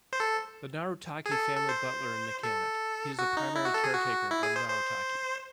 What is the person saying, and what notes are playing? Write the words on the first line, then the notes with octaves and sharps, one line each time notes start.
The Narutaki family butler and mechanic, he is the primary caretaker of Narutaki.
C5
A4
G#4
A4
A4
C5
A4
F#4
D#4
E4
F#4
A4
G#4
F#4
E4
G#4
C5
C5